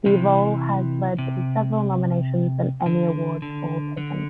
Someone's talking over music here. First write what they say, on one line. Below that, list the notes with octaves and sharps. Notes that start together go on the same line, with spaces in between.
The role has led to several nominations and Emmy Awards for Piven.
C3 E3
C3
D3
D3
D3